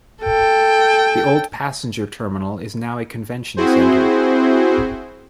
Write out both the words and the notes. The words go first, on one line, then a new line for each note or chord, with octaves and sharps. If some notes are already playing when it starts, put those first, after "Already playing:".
The old passenger terminal is now a convention centre.
A4 G5
C4 E4 F#4 G#4 C5